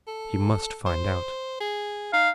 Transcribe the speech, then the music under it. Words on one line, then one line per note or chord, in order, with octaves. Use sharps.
He must find out.
A4
C5
G#4
D#4 F5